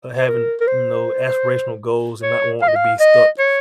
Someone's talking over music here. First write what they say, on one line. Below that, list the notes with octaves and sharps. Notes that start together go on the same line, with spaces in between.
uh, having, you know, aspirational goals and not wanting to be stuck
C5
A#4
A#4
C5
C#5
F5
D#5
F5
D#5
C#5